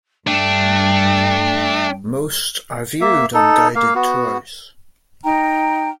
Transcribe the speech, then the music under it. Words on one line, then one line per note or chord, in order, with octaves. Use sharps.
Most are viewed on guided tours.
G2 A3 D4 G5
A#3 E5
D#4 A4
A#3 F5
B3 F#4
D#4 G5 A#5